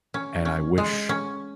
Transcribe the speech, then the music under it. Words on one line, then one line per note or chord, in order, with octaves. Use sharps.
and I wish
C#4
C#4
G#3
C#4